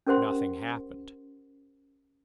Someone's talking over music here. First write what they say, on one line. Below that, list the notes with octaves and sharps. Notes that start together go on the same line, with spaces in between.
Nothing happened.
C#4 G4 A#4 C5 F#5 C6